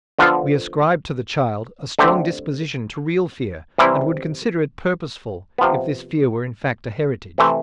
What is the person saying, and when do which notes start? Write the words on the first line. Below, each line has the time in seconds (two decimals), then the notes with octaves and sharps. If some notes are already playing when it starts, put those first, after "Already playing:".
We ascribe to the child a strong disposition to real fear and would consider it purposeful if this fear were in fact a heritage.
0.19 D3 F3 B3 F4 A4
1.99 D3 A3 C4 G4
3.78 C3 E3 G3 C4 E4
5.58 C3 F3 B3
7.38 C3 E3 A3 C4